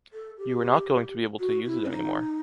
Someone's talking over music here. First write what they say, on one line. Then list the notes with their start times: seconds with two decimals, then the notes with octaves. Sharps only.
You were not going to be able to use it anymore.
0.13 A4
0.38 G4
1.40 F#4
1.66 E4
1.86 C4
1.91 D#4